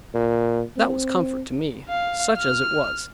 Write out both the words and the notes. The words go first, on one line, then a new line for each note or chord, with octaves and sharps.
That was comfort to me, such as it was.
A#2
C4
F5
F6